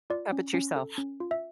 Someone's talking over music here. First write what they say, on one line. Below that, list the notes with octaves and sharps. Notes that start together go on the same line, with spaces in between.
How about yourself?
F4 D5
C#4
C#4
A4
C#4
F4
E5